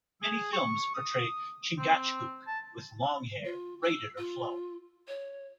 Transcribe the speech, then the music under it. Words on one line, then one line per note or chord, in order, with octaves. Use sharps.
Many films portray Chingachgook with long hair, braided or flowing.
G#4
C#6
D#6
C4
A5
F4
E6
F4
C#5